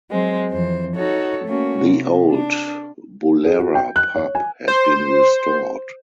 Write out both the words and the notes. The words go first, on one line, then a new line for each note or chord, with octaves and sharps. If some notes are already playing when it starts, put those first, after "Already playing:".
The Old Boolarra Pub has been restored.
F#3 G#3 C4
F2 E3 C5
D#4 F#4 A4 C#5
A3 A#3 C#4 F#4
C3
D4
G#4
F#4
G5
F#6
C#5
G#5
C5